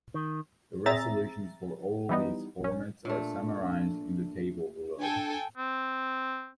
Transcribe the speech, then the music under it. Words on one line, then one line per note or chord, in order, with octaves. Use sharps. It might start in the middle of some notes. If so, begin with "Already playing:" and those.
The resolutions for all of these formats are summarized in the table below.
D#3
C4 G#4 E5 A#5 A6
E3 G3 B3 D#4
A#1 C#4
A#2 A3 D4
D4 A4 G5 G#5
C4